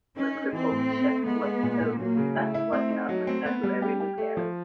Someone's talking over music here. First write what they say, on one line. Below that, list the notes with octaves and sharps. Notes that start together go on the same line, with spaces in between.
The crippled ship was towed to Casablanca for temporary repairs.
C#4 D#4
D#4
E3 C4
A2
A3
A3
G#3 B3
G#3
A#2
A#2
F#3 A#3
C#3
A3 E4
E4
A3 C4
D#4
F#3
C4
B3
G3
G4
G4
A3
F3